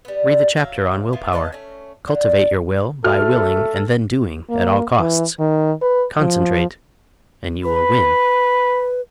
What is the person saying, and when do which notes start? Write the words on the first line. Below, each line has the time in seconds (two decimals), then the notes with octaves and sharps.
Read the chapter on "Will Power." Cultivate your will by willing and then doing, at all costs. Concentrate--and you will win.
0.05 G3 B3
0.57 F#3 E5 F5
1.13 B3 E4 F4
1.33 B4 D#5 F5 A5
1.52 A3 C#4
2.08 D3
3.04 A3 F#4 A4 F6
4.50 A#3
4.99 E3
5.39 D#3
5.82 B4
6.20 F3
7.65 B4 B5